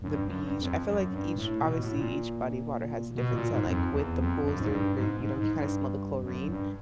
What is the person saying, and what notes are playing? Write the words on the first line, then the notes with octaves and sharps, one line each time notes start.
the beach, I feel, like, each obviously, each body of water has a different scent, like, with the pools are, you know, you kinda smell the chlorine.
F#2
G2
F#2
G2
F2
F#2
G2
A2
B2
A2
A#2
B2
A#2
G#2
F2
E2
F2
F#2
G#2
G2
G#2
G#2
G#2
G2
F#2
G2